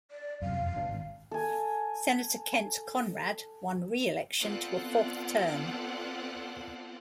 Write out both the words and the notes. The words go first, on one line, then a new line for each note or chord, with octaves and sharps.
Senator Kent Conrad won re-election to a fourth term.
D5
F#2 C3 F5
F2
G1 B2 D4
G#1
A4 G#5
B3 C4 F4 A4 D5 F#5